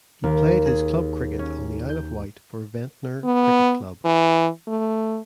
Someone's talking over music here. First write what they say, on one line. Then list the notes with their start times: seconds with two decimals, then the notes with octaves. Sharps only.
He played his club cricket on the Isle of Wight for Ventnor Cricket Club.
0.24 D#2
0.66 G#4
1.39 C#4
1.89 G6
3.24 B3
4.05 E3
4.68 A3